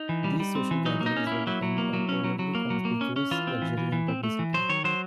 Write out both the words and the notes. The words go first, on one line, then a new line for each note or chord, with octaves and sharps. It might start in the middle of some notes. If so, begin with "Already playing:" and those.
These social gatherings were dependent on overly conspicuous luxury and publicity.
Already playing: D#4
E3
G3
G3
C4
E3
F#3 D#4
A#3
D#4
C#4
A#3 E4
F#3 E4
F#3
A#3
F#3
C#4
F#3
F#3
A#3
F#3
A#3
C#4
C#4
E3 F4
C4
E3
E3
E3
C4
A3
E3
F#3 C5
D#3 C#5
F#3 C5